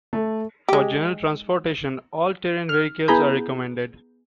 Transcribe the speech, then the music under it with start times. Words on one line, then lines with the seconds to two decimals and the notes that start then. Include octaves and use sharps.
For general transportation all-terrain vehicles are recommended.
0.13 A3
0.68 G#3 G4
2.69 F6
3.08 B3 E4 G#4 A#5 B5 G6